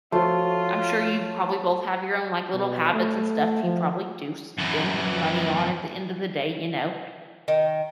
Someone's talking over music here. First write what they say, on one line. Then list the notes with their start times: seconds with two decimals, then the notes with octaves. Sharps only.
I'm sure you probably both have your own, like, little habits and stuff you probably do spend money on, at the end of the day, you know?
0.12 F3 A3 F4 F#4 C5 C#5 C6
2.54 B2
2.93 A3
3.63 F3
4.58 F#2 E3
7.48 D#3